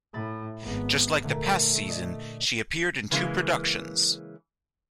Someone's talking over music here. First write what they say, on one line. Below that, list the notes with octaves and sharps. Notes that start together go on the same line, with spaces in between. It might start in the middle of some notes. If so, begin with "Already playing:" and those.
Just like the past season, she appeared in two productions.
A2 E5 B5 A6
G#1 B3
A#2 D3 A3
D5 D#5 D#6
C#3 E3 G#3 A#3